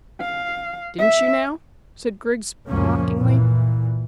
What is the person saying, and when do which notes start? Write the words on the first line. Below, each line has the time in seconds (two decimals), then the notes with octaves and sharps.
"Didn't you, now?" said Griggs mockingly.
0.20 F5
0.98 E5
2.68 C#2 F#2 A#2 F3 A#3 C#4
3.16 A#2 E3